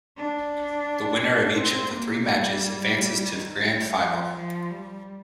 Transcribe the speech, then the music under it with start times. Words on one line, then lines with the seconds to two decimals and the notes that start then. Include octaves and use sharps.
The winner of each of the three matches advances to the Grand Final.
0.17 D4
1.21 D4
1.56 C4
1.91 A#3
2.26 G3
3.31 D#3
3.65 G3
4.01 F3
4.35 F3
4.70 G3